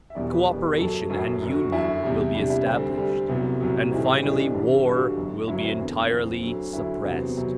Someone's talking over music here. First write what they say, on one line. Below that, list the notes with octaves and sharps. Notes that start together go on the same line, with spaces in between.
Cooperation and union will be established, and finally war will be entirely suppressed.
E5
E1 E2 B2 G3 D5
B4
E1 E2 B2 G3
F#1 F#2 F#3 A4
F#1 F#2 F#3
G1 F#2 D3
F#4
F#4
G1 F#2 D3 E4
E2 C3 G3
E2 C3 G3 D4
E4
D2 D3 G3 C4
D2 D3 G3
C2 C3 F#3 B3
C2 C3 F#3
B1 A2 E3 G3 C4
B1 A2 E3 G3 D4
A1 G2 D3 G3
A1 G2 D3 G3 F#4
G1 F#2 F#3
G1 F#2 F#3 E4
C4
F#1 E2 D3 B3
F#1 E2 D3 C4
D2 D3 F#3
D2 D3 F#3 E4
E2 C3 F#3 C4
B3
B3
C3 F#3